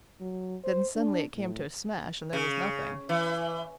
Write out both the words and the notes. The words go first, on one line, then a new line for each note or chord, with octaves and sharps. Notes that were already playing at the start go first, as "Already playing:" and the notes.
Then suddenly it came to smash, and there was nothing.
F#3
C5
D4
A2
C#3
E3